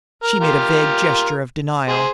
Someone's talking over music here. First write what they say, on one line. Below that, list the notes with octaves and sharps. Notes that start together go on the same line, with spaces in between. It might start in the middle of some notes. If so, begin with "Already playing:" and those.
She made a vague gesture of denial.
A#4
F4 G4 A#4
G#4 C5